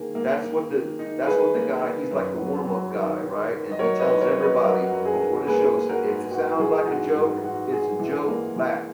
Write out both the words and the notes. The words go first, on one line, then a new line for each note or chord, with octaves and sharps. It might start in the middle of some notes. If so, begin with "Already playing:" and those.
That's what the that's what the guy he's like the warm-up guy, right? And he tells everybody before the show, if it sounds like a joke, it's a joke, laugh,
Already playing: D#3 A#3 G#4
A#3
D#3
D#3
D#4
D#3 G#4 B4
A#3
D#3
F#2
F#3
F#3
D#3
D#3
D#3
D#5
F#3 A#4 C#5
B4 D#5
D#3
A#4 C#5
F#3
B4 D#5
F#3 F#4 A#4
F#4
F#2
G#4
D#3
A#3 G#4 B4
A#3
F#4 A#4
G#2
G#2 F#4
E3 G#4
G#2 F#4
G#2 F#4
G#2 F#4
G#2 G#4
E3
A#3
E3